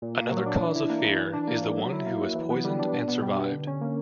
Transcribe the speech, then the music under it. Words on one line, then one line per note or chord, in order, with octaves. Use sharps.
Another cause of fear is the one who was poisoned and survived.
A#2
A#3
F#3
D4
E3
E4
A#3
E3
E3
D4
A#3
E3
F#3
E4
A#3
F#3
E3
B3
G3
D4
B2
B3
G3
B2
D3
C#4
A#3